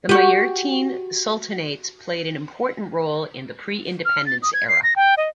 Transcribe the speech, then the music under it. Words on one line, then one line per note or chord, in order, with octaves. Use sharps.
The Majeerteen Sultanates played an important role in the pre-independence era.
F#4 G4
F6
A6
D#6
G#6
C7
A#6
G5
D#5